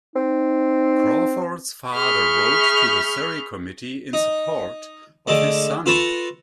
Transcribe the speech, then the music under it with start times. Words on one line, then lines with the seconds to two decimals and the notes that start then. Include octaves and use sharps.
Crawford's father wrote to the Surrey committee in support of his son.
0.16 C4 D#4
1.94 G#4 E5 B5 C#6 F6 G6
4.13 D#4
5.27 D3 G#3 A3
5.86 F4 A4 B4 A5 A#5 C#6